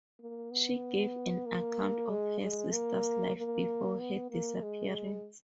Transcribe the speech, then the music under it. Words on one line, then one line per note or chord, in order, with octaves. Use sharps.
She gave an account of her sister's life before her disappearance.
A#3
B3
A#3
G#3
G#3
A#3
A#3
B3
A#3
G#3